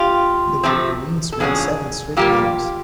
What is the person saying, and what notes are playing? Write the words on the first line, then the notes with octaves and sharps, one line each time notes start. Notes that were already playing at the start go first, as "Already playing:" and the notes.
The Wolverines won seven straight games.
Already playing: F4 G4
C3 F3 A3 C4
A4
F2 D3 F#3 C#4 G#4
A#2 G3 A#3 F4 G4